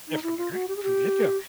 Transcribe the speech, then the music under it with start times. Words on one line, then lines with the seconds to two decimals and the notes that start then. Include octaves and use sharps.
Yeah, from the gr from the get-go
0.08 D#4
0.23 E4
0.38 F4
0.52 F#4
0.68 G4
0.76 G#4
0.83 G4